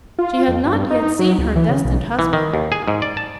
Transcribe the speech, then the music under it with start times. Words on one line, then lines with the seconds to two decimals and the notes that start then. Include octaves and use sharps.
She had not yet seen her destined husband.
0.19 F4
0.48 F2
0.65 G2
0.91 D#4
1.19 F#3
1.38 C#2
1.56 E3
1.69 C#3
1.85 B1
2.19 E3
2.33 D#3
2.54 D#2
2.72 G#4
2.88 G#2
3.02 D5
3.17 A5